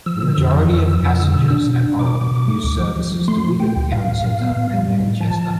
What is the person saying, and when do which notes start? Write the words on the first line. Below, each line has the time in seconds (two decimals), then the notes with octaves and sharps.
The majority of passengers at Orrell use services to Wigan town centre and Manchester.
0.06 F3 E6
0.22 D3
0.38 F2
0.54 F3
0.70 F2 E6
0.87 F3
1.03 F2
1.19 D3
1.35 B2
1.50 D4
1.67 B2
1.83 D4
1.99 B2 D6
2.15 B2
2.31 B2
2.48 A3
2.64 D2
2.79 F3
2.96 F3
3.12 F3
3.28 A3 C6
3.44 F3
3.60 A3 G5
3.76 D2
3.92 A2 F5
4.08 A2
4.24 A2
4.41 B3
4.56 A2
4.73 G3
4.88 A2
5.04 A2
5.21 F3 A5